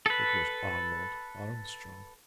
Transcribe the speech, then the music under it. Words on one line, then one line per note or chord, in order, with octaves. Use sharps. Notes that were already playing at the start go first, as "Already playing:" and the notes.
It was Arnold Armstrong.
A4 B4